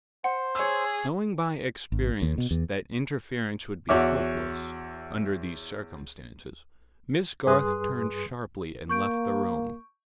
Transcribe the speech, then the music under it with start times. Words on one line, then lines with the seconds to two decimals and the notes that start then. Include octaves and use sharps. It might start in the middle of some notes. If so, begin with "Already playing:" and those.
Knowing by experience that interference would be hopeless, under these circumstances, Miss Garth turned sharply and left the room.
0.24 C5 F#5
0.55 G#4 C#5 E6
1.92 G#1
2.22 D#2
2.38 B2
2.51 E2
3.89 E2 F#4 C#5 E5 D6
7.47 G2 G#4 B4 C6 D#6 F#6
8.89 A#3 C#6 G6 D7